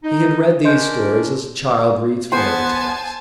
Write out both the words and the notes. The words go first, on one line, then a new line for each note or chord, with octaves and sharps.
He had read these stories as a child reads fairy tales.
D#4
C#4 D4 A#4 D#5 C6 G6
B3 C5 G#5 A5 C6